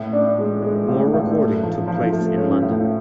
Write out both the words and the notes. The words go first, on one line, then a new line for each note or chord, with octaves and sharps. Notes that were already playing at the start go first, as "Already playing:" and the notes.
More recording took place in London.
Already playing: A2
D4
G#3
G#3
A2
A2
A3
F3
F3
A3
C#4
A2